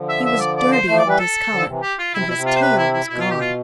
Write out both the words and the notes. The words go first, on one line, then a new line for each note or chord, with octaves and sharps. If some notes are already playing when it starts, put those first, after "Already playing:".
He was dirty and discolored, and his tail was gone.
Already playing: D3 F3
E5
E5
D5
D5
C5
F3 A3 C5
D5
E3 G3
B4
A4
D3 F3
C3 E3
G4
F4
C3 E4
B2
E4
C3
F4
C5
B4
E4
E4
B2 E4
F4
G4
F4